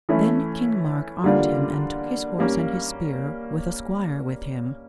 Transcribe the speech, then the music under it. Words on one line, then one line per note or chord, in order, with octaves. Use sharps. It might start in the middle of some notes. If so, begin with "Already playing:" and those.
Then King Mark armed him, and took his horse and his spear, with a squire with him.
E3 A3 C#4 E4
D3 G3 A#3 D4 F4
G3 A#3 C#4